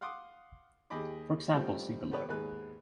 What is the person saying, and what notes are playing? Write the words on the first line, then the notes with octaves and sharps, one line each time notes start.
For examples see below.
F5 F#5 C6 D6 D#6
D#2 G4 G#4 D#5 B5 D6
G3 A3 C4 C#4 F4 G4
B3 G4 A4 B4 C#5
D#2 G#2 G#3 G#4 B4 F#6